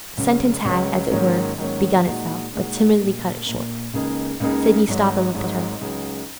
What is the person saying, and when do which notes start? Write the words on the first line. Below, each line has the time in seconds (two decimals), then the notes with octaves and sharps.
The sentence had, as it were, begun itself, but timidity cut it short. Sidney stopped and looked at her.
0.17 C#2 C#3 F#3 C#4
0.64 C#2 C#3 F#3 C#4
1.11 G#2 D#3 F#3 A#3 C#4
1.58 G#2 D#3 F#3 A#3 C#4
2.06 A#2 G#3 D#4 F#4
2.53 A#2 G#3 D#4 F#4
2.99 A#1 A#2 A#3
3.46 A#1 A#2 A#3
3.93 C#2 C#3 A#3 D#4 G#4
4.40 C#2 C#3 A#3 D#4 G#4
4.87 G#1 G#2 F#3
5.34 G#1 G#2 F#3
5.81 C#2 C#3 F#3 D#4 G#4